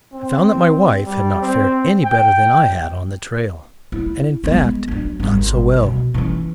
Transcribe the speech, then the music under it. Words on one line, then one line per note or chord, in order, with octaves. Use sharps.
I found that my wife had not fared any better than I had on the trail, and in fact not so well.
C4
G3
C4
G5
E4
G#3 B3
F#3 D4
G#1 G3
B2
E3 C#4